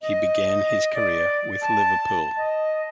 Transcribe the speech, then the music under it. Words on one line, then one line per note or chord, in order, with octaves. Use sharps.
He began his career with Liverpool.
D#5
D5
A5
D#5